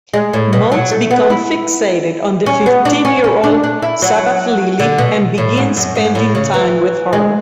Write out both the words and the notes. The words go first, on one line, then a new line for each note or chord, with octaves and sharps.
Motes becomes fixated on the fifteen-year-old Sabbath Lily and begins spending time with her.
G#3
A2
B2
F#3
A3
B3
E4
C#4
B3
D4
C#4
C#4
D4
D4
E4
F#3
D3
B2
A2
G#2
F#2
G#2
A2
C#3
E3
G#3